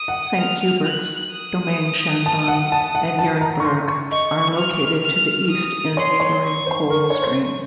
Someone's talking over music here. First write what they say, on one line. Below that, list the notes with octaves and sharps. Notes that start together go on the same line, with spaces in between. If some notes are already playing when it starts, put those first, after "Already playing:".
Saint Hubert's, Domaine Chandon and Yeringberg are located to the east in neighbouring Coldstream.
Already playing: D#6
F#5
F6
F#6
D#6
A5
F#5
A5
F#5
A5
A#5
C#6
C6
C#6
D#5 C#6
F6
F6
D#6
C#5 C6
C#5
C#6
C5
A#4 C#6
C#5
C5